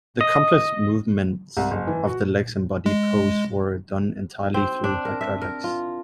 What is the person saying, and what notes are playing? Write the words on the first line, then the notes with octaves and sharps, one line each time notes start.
The complex movements of the legs and body pose were done entirely through hydraulics.
D#5
C2
F#1
E3
F#4
G#3
C4
D4
A#4
E5
A#4
F4